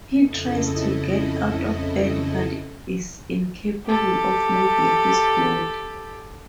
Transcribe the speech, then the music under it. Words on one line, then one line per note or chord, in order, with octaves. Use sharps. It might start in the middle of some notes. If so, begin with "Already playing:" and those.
He tries to get out of bed but is incapable of moving his body.
F2 C#3 E4 A4 D#5
G4 A4